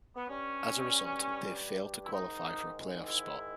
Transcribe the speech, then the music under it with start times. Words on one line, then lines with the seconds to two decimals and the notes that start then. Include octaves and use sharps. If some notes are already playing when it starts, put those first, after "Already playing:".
As a result, they failed to qualify for a playoff spot.
0.16 B3
0.28 G2 G3 C#4
2.03 E4
2.12 G#2 D#3 G#3 D#4
3.05 E4